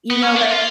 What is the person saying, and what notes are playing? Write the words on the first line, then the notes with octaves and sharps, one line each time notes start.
You know, like
B3
C#4
D4
F4